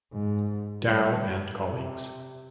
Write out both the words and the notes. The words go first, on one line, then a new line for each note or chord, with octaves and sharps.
Dow and colleagues.
G#2
G3
C3